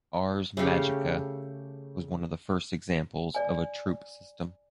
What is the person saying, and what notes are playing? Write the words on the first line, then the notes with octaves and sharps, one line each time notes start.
"Ars Magica" was one of the first examples of a Troupe system.
C#3 A3 C#4 G4
D5 G#5